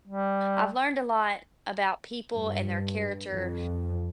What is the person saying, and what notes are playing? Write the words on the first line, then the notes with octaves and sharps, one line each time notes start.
I've learned a lot about people and their character
G3
G2
F2